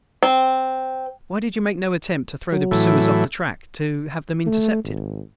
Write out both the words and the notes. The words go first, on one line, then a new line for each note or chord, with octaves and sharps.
"Why did you make no attempt to throw the pursuers off the track, to have them intercepted?"
C4
F#3
A2 E3
A3
G#1